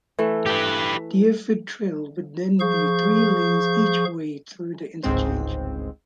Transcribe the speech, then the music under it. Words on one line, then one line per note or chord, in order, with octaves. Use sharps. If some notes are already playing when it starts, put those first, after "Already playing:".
Deerfoot Trail would then be three lanes each way through the interchange.
E3 A3
G4 B4
F3 G#4 F5 C#6 G6
G1 C#2 G#2 G#3 C4 C5